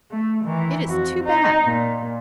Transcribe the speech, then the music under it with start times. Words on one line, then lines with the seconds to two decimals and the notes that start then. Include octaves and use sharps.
It is too bad.
0.11 A3
0.44 D#3 E3
0.86 F2 F#4
1.24 D#4
1.63 A#2